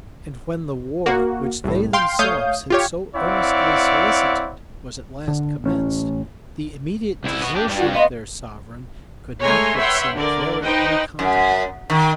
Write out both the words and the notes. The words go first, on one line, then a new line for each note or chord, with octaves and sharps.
And when the war which they themselves had so earnestly solicited, was at last commenced, the immediate desertion of their sovereign could not but seem very unaccountable.
A#3 F#4
C2 A2
F5 G5 C6
A3 C#5 F5 D#6 G6
F4 G4 C#5
C4 E4 C#5 D5 F5 F#5
D3
A1 C#4
C2 E4
B3 F#4
D4 G4
G2 G3
F4 F#4
B3 D#5 F5 C6
G#3 A3 C#5 G#5 A#5 C6
B4 C#5 E5 F#5 G5 C6
D3 A#4 D5
D#4 B4 C5 D#5 G5
F#2
D#3